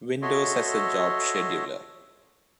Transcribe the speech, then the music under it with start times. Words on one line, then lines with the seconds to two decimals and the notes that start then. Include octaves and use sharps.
Windows has a job scheduler.
0.22 F#4 A4 C#5 D#5 E5 C6